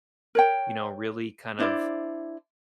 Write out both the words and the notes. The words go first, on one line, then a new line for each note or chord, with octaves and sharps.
you know, really kind of,
A#4 C#5 G5
D4 E4 C5 D5